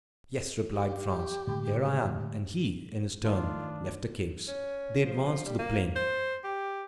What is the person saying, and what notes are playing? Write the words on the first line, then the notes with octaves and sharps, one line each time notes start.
"Yes," replied Franz, "here I am," and he, in his turn, left the caves. They advanced to the plain.
G4
A2 D3 G#3
D#3 A3 D4 D#4 F4
C#4
F3
G3
A#3
C5
G4